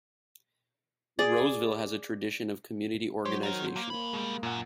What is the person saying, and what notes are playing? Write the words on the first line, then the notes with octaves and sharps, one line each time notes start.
Roseville has a tradition of community organization.
G#4 D5
F#3 G4 C5 C#5 C6
D#4 A#4
A#3
G2 A#3 B5
B2 G3 G#3
F#2 A#2 F#5